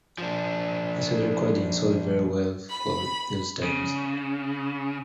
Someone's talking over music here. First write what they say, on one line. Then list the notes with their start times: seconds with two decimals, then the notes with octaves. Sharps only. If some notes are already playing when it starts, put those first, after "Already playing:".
Ace's recordings sold very well for those times.
0.18 F3 D4
2.69 B5
3.62 C#3